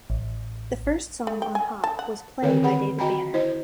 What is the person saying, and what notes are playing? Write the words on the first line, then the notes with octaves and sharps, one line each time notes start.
The first song on "Hot" was "Play" by David Banner.
A1
A3
G5
G#5
A5
F#5
D3 D#3 C4 B4 C#5 G5
G#4 B4 F#5 B5
F#4 D#5 G5 G#5 A#5 B5
E4 C5 D#5